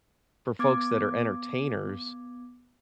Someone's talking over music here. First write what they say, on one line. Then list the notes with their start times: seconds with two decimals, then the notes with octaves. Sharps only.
for folks that are entertainers,
0.59 B3 D6 G#6